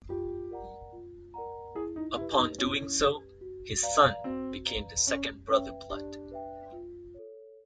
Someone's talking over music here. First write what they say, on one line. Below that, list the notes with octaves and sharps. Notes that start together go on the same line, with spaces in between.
Upon doing so, his son became the second Brother Blood.
F4 G4
A#4 D5 F#5 A#5
F4
A#4 D5 F#5 A#5
E4 G#4
D#4
E4 G4 B4
D#4
C#4 E4
G4 B4
F#4
B4 D5 F5 A#5
C4 F#4
B4 D5 F5 A#5
C#4 G4
C#4 B4 E5 G5
D4 G4
B4 E5 G5
F4
A4 C#5